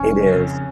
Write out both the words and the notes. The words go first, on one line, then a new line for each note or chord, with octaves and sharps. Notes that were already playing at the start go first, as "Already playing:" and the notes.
It is.
Already playing: F1 C#4
F2 C#3